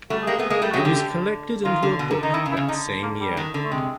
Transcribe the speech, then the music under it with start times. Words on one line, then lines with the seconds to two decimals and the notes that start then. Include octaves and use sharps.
It was collected into a book that same year.
0.10 G3 A3 F#4
0.23 G#4
0.27 G#3 A#3 G4
0.38 A3 B3
0.45 G#4
0.50 G#3 A#3
0.62 G3 A3 G4
0.71 F#3 G#3 F#4
0.80 D3 G4
0.96 D3
1.65 D#3 F4
1.82 D3
1.99 B2
2.11 D3
2.23 D#3 D#4
2.34 D#3 E4
2.46 C#3
2.51 E4
2.57 C#3
2.69 D3 D#4
3.03 A#3
3.20 G3
3.37 D#3
3.54 D3
3.64 A3
3.72 C3 G#3